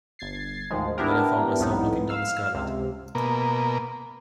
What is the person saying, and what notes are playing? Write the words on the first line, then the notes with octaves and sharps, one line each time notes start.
And then I found myself looking down the skylight.
G1 G#6 A6 C7
D2 G#2 D#3 F3 G#3
B3 D4 E4 G4 A#4
C2 F2 A2 B3 D#4
F5 E6 F6
C#2 C3
B2 A#3